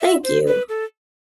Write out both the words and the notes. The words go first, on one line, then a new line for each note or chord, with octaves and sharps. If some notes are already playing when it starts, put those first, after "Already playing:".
Thank you.
E5
C5
B4
A4